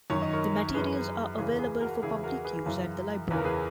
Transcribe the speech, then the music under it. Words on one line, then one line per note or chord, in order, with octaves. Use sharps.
The materials are available for public use at the library.
F#2 D#3 C#5
D#5
A#4 C#5
F#2 E3 G#4 B4
E2 C#3 E3 G#4 B4
G#4 B4
F#4 A#4
E2 C#3 E3 E4 G#4
F#4 A#4
G#4 B4
F#2 C#3 E3
E2 C#3 E3 B4
A#4
G#4 B4